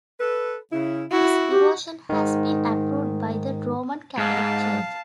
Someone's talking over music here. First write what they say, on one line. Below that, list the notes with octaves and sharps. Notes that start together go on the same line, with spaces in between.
This devotion has been approved by the Roman Catholic Church.
A4 B4
C#3 E4
E4 F#4
G4
G#2 D#3
G#2 F5 A5